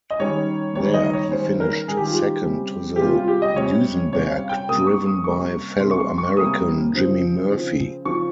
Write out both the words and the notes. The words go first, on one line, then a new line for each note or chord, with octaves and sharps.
There, he finished second to the Duesenberg driven by fellow American, Jimmy Murphy.
D#5
D#3 G3 C#4 C#5
D#3 G3 C#4 C#5
D#5
C#5
D#3 G3 C#4 C5
A#4
D#3 G3 C#4 G#4
G4
F4
G4
C3 G3 C#4
G4
C3 G3 C#4 F4
F4
G4
D#5
C3 G3 C#4 C#5
C3 G3 C#4 C#5
F5
G5
C3 G3 A#3 C#4 D#6
C#6
D#6
C3 G3 A#3 C#4 C#6
C3 G3 A#3 C#4 C6
C#6
C6
C#6
C3 G3 A#3 C#4 D#6
C#3 F3 C4
C#3 F3 C4
C#3 F3 C4 C#6